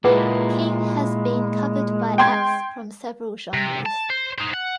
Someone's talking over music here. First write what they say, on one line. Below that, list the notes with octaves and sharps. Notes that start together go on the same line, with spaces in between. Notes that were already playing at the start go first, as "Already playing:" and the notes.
King has been covered by acts from several genres.
A#2 G#3 A#3 E4 G#4 B4 F#5
G5 C6 G#6
C3
A5
C5
D#4 C5
F#5